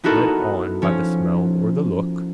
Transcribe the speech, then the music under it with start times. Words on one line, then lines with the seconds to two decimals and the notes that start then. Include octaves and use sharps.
Led on by the smell or the look.
0.04 B3 D#4 E4 F#4 A4 A#4
0.82 F3 C#4